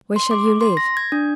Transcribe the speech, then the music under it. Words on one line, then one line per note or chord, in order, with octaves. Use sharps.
Where shall you live?'
C6
D6
C6
A#6
G#6
D4